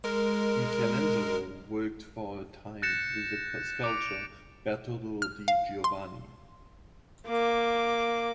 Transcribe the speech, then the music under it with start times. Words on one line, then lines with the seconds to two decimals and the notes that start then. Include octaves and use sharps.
Michelangelo worked for a time with the sculptor Bertoldo di Giovanni.
0.04 G#3 A#4
2.82 F#6 G6 A6 A#6 C#7 E7
3.84 D6 D7 F7
3.98 D7
5.22 F6
5.48 F5
5.84 C6
7.27 A#3 D6